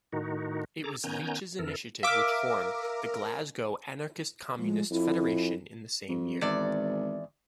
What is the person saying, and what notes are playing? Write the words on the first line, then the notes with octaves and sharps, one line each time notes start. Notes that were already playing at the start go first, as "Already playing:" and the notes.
It was Leech's initiative which formed the Glasgow Anarchist-Communist Federation in the same year.
A2 D#3 D#4 F#4
G#4 A4 A#5 D6
D#3 B3 C#4 G#5 A#5 G6
F2 E3 A4 A#4
A#4 E5 F5 D6 F6
F3 G#3
F2 E4
F2
G#1 E2 D5